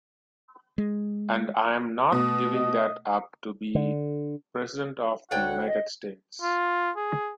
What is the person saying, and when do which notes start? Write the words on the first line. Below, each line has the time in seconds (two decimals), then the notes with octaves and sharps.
And I'm not giving that up to be President of the United States.
0.78 G#3
2.12 B2 A3 D#6
2.54 D#5
3.75 D3
5.31 D2 C#5 D5 F#5 G5
5.67 D#5
6.42 F4
6.96 G#4